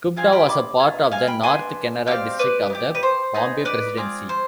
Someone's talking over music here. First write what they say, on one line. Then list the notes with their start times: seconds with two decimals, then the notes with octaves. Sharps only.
Kumta was a part of the North Kanara district of the Bombay Presidency.
0.17 C4 F4 G#4 F5 G#5
0.33 G5 B5
0.49 B5 D6
0.80 B3 F4 G#4
1.11 F5 G#5
1.27 G5 B5
1.43 B3 D4 F4 G#5 C6
2.07 C4 G4 D5 F5
2.39 B4 D5
2.70 B3 D#4 G4
2.95 B4
3.03 C5
3.34 B3 D#4 G#4
3.65 B4 D5
3.97 C4 F4 G#4
4.29 C5